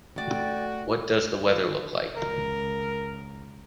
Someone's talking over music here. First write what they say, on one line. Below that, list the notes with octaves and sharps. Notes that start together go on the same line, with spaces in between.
What does the weather look like?
A3 F#4 D5 G5
C#2 A#4